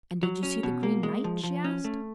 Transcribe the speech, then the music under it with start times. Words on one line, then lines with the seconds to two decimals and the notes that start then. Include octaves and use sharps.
'And did you see the Green Knight?' she asked.
0.23 F#3
0.43 C#4
0.63 B2
0.83 A#3
1.03 G#3
1.24 F3
1.43 F3
1.64 C#4
1.84 A3